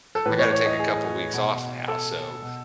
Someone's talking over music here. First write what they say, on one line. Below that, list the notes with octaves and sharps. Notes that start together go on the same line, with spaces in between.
"I gotta take a couple weeks off now," so
A4
A2 E3 B4
C#5
C#5
D#5
G#4
B2
A4
B2